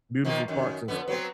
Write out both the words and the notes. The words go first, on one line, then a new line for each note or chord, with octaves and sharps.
beautiful parks and stuff
D#3 F3 A#3
F#2 D#3
F2 D3 B3
F#3 B3 C4